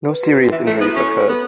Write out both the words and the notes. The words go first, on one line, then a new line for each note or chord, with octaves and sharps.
No serious injuries occurred.
B4
F#4
C#4
E3 E4
A3
E4
B3
F#4
C#4 A4
A4
B3